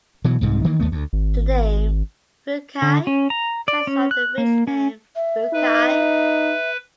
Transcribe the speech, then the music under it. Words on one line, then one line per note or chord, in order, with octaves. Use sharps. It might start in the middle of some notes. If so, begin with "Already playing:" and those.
The name "Rukai" comes from the village name "Rukai".
B2 E3 F#3
C2 G#2 C3
D#3 E3 A#3
D#2 A3 B3
D2
G#1
D3
C#4
A#5
D5
C#4
F#6
A#3
C#4
E5
D#4 B4